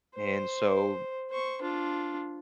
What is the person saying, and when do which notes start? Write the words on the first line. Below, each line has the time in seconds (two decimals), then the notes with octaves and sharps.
and so,
0.15 C5
1.31 C5 C#6
1.62 D4 F4